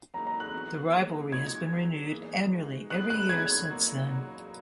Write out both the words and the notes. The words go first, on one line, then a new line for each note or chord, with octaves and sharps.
The rivalry has been renewed annually every year since then.
F#3 A#3 D#4 A#5
A#5
F#6
E3 B3 F#4
F#3 A#3 D#4 G#4
A#2 G#3 D#4 F#4 G#6
F#3 B3 D#4 G#4
E3 A#3 E4 G#4
G#3 D#4 F#4
G#3 B3 E4 G#4 F#6
F#6
F#3 A#3 D#4 G#6
F#3 A#3 D#4 F#4